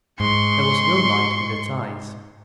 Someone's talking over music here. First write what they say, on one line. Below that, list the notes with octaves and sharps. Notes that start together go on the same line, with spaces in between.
There was no light in its eyes.
G#2 C6 C#6